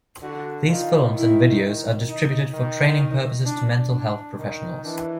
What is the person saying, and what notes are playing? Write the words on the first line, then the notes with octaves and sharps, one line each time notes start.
These films and videos are distributed for training purposes to mental health professionals.
D3 F#4
D#3 F4
E4
D#4
D#3
D#4
D4
D4
D#3
E3 D4